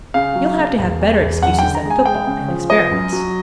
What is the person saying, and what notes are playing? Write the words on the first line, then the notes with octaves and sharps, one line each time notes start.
"You'll have to have better excuses than football and experiments."
C#3 F5
F#3
C#3
E1
E2
E1
F#2 F#5
D3 G5
A#5
G#3
G#5
G#3 G5
C#3
F3
B3 D#5
F#2
F#3